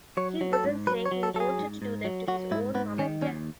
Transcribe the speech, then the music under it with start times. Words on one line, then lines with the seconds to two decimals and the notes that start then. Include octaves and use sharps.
He wasn't saying he wanted to do that to his own mom and dad.
0.17 F#3 C#5
0.41 F#3
0.53 A4
0.64 G#2
0.87 F#3 B4
1.06 C#5
1.12 F#3
1.23 A4
1.34 F#3 A4
1.40 G#4
1.58 G#2
1.82 G#2
2.05 F#3
2.28 F#3 F#4
2.51 G#2 E4
2.75 G#2 B3
2.98 D#3 C#4
3.21 D#2 C#4